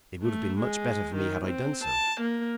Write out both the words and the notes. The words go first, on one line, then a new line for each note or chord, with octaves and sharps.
It would have been much better for me had I done so.
A3
G#3
D#3
C4
A5
A#3